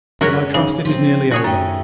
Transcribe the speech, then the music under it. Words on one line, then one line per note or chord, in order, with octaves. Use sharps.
But I trust it is nearly over.
F#2 G#3 C#4 F#4 A#4 C#5
C#3 D#4
F3 C4
F#4 G#4 C#5
F#2 D#3 A3 C#4 G5